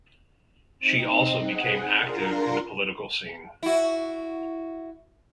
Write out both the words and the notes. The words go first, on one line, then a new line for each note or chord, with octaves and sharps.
She also became active in the political scene.
C4 D#4
G#4 F#5
D4 F4 A#4 A#5 C6
E4 F#4